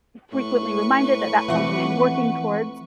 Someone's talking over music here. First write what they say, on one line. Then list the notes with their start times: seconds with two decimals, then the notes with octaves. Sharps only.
frequently reminded that that's something I'm working towards,
0.32 A2 B4 C#6
1.48 E3 F3 A3 C4 F#5